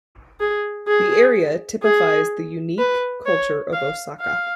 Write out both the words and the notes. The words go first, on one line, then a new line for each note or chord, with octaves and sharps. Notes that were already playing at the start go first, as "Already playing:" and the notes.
The area typifies the unique culture of Osaka.
G#4
G#4
G#4
B4
C#5
F5
F5